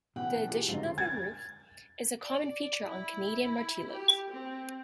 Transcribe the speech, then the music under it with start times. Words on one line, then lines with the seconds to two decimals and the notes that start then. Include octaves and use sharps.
The addition of a roof is a common feature on Canadian Martellos.
0.16 B2 E3 C#4 F#5 G5
0.35 A5
0.48 F4 G4 G#4
0.69 G#1 F#2 D3 F#3 F4
0.98 G#6 A6
2.21 D5
2.83 E4
3.91 G4
4.31 C4